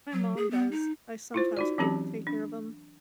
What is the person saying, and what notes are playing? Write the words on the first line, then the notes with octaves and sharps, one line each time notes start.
My mom does. I sometimes take take care of 'em.
F#3
G#4
B3
D#4
E4 F4 C5
D#4 F#4 D5
E3 F#3 C4 C#4 G4 A5
D4